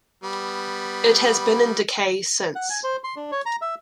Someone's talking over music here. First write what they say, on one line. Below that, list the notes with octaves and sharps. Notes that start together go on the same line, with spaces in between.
It has been in decay since.
G3 B3
F#5
G#5
C5
C6
D4
C#5
A#5
E5